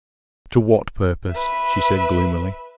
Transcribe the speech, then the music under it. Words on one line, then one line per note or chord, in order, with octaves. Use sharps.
"To what purpose?" she said gloomily.
B4 E5